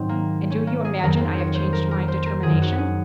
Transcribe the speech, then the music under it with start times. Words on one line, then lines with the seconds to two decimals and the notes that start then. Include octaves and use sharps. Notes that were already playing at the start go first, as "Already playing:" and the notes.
And do you imagine I have changed my determination?
Already playing: G#2 D#3 F#3 C4
0.09 A#3
0.50 C#4
0.67 A#3
0.85 G#4
1.03 F2 D#3 F#3 A#4
1.21 C5
1.38 C#5
1.55 C5
1.73 A#4
1.91 A#4
2.08 C5
2.26 A#4
2.43 F#2 D#3 F#3 G#4
2.62 F#4
2.78 G#4